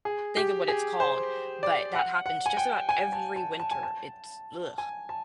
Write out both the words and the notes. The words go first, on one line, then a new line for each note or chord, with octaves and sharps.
think of what it's called, but that happens just about every winter. It's blegh.
G#4
G4
G#4
C5
D5
F#5
F#5
G#5
G5
G#5
A5
A5
A5
G#5
A5
G#5
A5